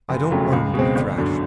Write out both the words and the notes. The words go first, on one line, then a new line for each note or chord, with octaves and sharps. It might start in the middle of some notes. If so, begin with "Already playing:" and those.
I don't want him to be thrashed.
F#1
F2 C#3 F#3 A3
C#2
B2 G#3 C4
G1
F#2 D3